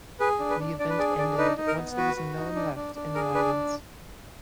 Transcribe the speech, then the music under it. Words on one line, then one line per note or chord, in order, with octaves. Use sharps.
The event ended once there was no one left in the audience.
G#4 B4
D4
B4
D4
D4 D5
B4
G#4 D5
D4 D5
D#4 B4
D#4
A#4
B3
F#4 B4
F#4
D#4
D4
D4
D4
G#4 A#4
D4 B4